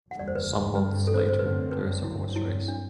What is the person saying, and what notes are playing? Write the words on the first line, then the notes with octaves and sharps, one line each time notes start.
Some months later, there is a horse race.
F#1 E2 D3 G3 F#5
D5
C5
B4
G2 D3 G3 C4 B4
A4
C5
B4
C5
F#2 D3 A3 C4 B4
B4
G1 F#2 F#3 C4 E4
E4
D4